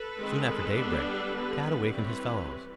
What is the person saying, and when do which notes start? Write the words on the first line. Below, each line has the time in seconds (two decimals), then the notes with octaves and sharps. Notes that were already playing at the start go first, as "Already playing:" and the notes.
Soon after daybreak, Tad awakened his fellows.
Already playing: A4 B4
0.17 D#3 G#3 C4
0.75 G3 B3 D4
1.33 D3 G3 B3
1.91 E3 G3 C4 B4 C#5